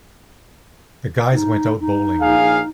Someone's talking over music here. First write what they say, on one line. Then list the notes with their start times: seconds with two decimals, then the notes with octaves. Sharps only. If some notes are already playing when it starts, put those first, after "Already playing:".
The guys went out bowling.
1.33 D#4
1.80 D#4
2.21 A#1 G#4 F5